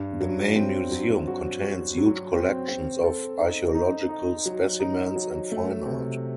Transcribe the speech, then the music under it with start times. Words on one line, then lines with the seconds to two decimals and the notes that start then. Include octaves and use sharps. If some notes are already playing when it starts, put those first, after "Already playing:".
The main museum contains huge collections of archaeological specimens and fine art.
Already playing: G2
0.21 F#3
0.56 C4
0.91 F#3
1.27 F#4
1.62 F#4
1.98 F#3
2.33 C4
2.68 C4
3.04 A4
3.38 D#4
3.75 D#4
4.09 D#4
4.46 F#3
4.80 D#4
5.16 F#3
5.52 A3
5.86 C3